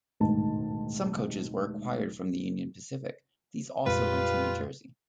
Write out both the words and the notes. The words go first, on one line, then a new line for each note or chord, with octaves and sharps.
Some coaches were acquired from the Union Pacific; these also went to New Jersey.
E1 A1 D2 G#2 D#3 A5
F2 A#2 G3 G#3 F4 B4